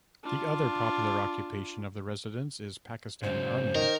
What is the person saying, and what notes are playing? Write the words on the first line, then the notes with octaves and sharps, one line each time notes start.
The other popular occupation of the residents is Pakistan Army.
D4 F4
G#2 C#3 F#3 C5
D#3 A#4